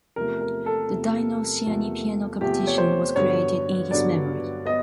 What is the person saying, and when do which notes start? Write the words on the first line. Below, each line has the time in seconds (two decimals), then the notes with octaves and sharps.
The Dino Ciani Piano Competition was created in his memory.
0.16 E2 C3 F3 A3 A#4
0.41 A#4
0.66 A4
0.91 E2 C3 F3 A3
1.66 E2 C3 F3 A3
2.41 E2 C3 F3 A3 G4
2.67 C#5
2.78 C5
3.16 G2 D3 F#3 B3 C#5
3.91 G2 D3 F#3 B3 D5
4.66 B3 D#5